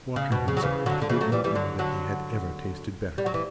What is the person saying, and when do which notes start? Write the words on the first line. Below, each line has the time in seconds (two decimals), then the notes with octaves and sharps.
Washington said he did not know that he had ever tasted better.
0.16 C#3
0.32 B2
0.48 C#3
0.57 F#3
0.62 C#3 E3
0.86 D3 F#3
1.02 D3
1.09 C#3 E3
1.21 F#3 A3
1.32 E3 G3
1.44 E3 G3
1.55 D3 F#3
1.79 D3 F#3
3.18 G3
3.26 F#3
3.34 E3